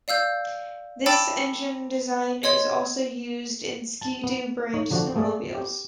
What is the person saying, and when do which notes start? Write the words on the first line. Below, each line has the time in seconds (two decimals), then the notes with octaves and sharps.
This engine design is also used in Ski-Doo brand snowmobiles.
0.08 D5 F5 E6 G6
1.06 G5 A5 B5 D6 E6 A6
2.43 C#5 D#5 C6 G#6
4.01 A5
4.24 B3
4.74 D#4 C#5
4.90 D3 F3 D4 F#4
5.16 A3 A#3 G#4 A4 D5
5.55 G4